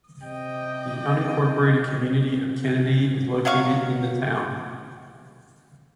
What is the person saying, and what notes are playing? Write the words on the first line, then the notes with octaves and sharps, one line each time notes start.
The unincorporated community of Kennedy is located in the town.
C3 D#5 G5
F#3 F#4 F5 C#6